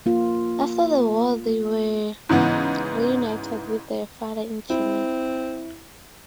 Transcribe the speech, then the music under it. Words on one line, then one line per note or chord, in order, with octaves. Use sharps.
After the war they were reunited with their father in Germany.
A#3 F4
G#2 C#3 E3 B3
C4 E4